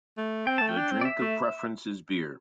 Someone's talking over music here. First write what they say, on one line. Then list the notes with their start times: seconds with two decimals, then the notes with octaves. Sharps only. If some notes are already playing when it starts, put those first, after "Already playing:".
The drink of preference is beer.
0.17 A3
0.46 C4 G5
0.58 A3 A5
0.69 G5
0.77 D4
0.92 C4
1.01 D5
1.05 E5
1.20 A3